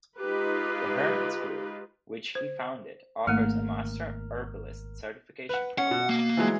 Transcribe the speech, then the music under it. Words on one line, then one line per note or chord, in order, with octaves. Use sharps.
The Hermit's Grove, which he founded, offers a Master Herbalist certification program.
G#3 D#4 F4 G4 B4
C5
G#1 A3 A#3 A#4 F6
B4 F#5
C#4 F#5
B2
A#3
E3 F#3 G#3